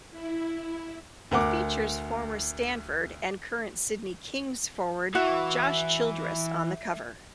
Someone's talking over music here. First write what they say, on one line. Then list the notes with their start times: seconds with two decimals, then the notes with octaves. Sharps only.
It features former Stanford and current Sydney Kings forward Josh Childress on the cover.
0.11 E4
1.31 D2 A#4 F#5 D6
5.15 E3 F#4 E5